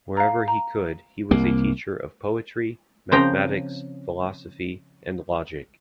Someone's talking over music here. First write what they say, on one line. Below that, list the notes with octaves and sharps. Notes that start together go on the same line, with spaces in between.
Wherever he could he was a teacher of Poetry, Mathematics, Philosophy and Logic.
F5 A#5
A#5
C2 A#3
C#3 F3 C4 G5 A#5